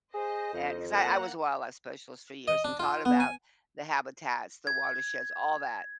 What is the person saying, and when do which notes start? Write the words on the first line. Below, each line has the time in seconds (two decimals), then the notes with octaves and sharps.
and 'cause I I was a wildlife specialist for years and taught about the habitats, the watersheds, all that.
0.14 G#4 C5 D#5
0.53 F2
0.94 A#3 F#5 A#5
2.48 D#5
2.64 D4
2.80 F4
3.05 B3
3.20 G#5
4.67 G#6